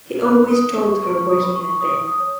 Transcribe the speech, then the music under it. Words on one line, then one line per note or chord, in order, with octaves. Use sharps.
He always told her where he had been.
D#4 F#6
D#6
B4
C#6
B4 C#6
D#6
B4 B5
C#6
C#5 D#6
D#6
C#5